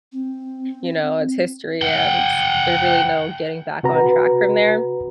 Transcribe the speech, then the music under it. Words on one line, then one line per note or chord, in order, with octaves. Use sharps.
you know, it's history, and there's really no getting back on track from there,
C4
F#5 G5
C3 F#4 B4 A#5